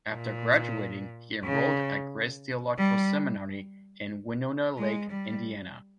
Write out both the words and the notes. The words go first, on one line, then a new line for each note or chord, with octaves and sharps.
After graduating he enrolled at Grace Theological Seminary in Winona Lake, Indiana.
A#2
C#3
G3
G#3
G3